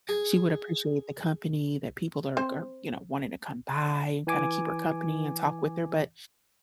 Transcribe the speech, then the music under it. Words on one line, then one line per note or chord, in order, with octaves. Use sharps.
She would appreciate the company that people are are, you know, wanting to come by and kinda keep her company and talk with her, but
G#4
C4 C5
E3 G#5 D6